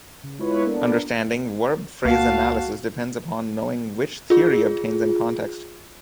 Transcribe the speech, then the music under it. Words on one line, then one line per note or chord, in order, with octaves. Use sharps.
Understanding verb phrase analysis depends upon knowing which theory obtains in context.
C#3
G#3 B3 E4 F4 B4 C#5
A#3 B3 D4 A4 A#4
C#2 A#3 F#4 F5 A5
F4 G#4